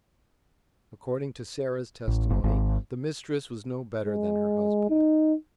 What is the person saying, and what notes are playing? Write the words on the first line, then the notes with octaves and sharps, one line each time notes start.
According to Sarah's testimony the mistress was no better than her husband.
A1
G1
G#1
G#3
D#4